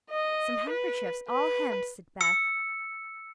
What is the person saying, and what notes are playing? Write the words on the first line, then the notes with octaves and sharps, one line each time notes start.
"Some handkerchiefs, all hemmed," said Beth.
D#5
B4
B4
E6 C#7